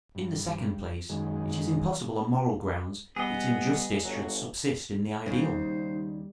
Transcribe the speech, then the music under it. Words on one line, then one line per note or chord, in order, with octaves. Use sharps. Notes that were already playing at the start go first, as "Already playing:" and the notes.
In the second place, it is impossible on moral grounds that injustice should subsist in the ideal.
G2
F#2 D#3 G#3
G3 B3 G#4 D#5
G1 F#3
D#2 C#3 G3 D#4 C5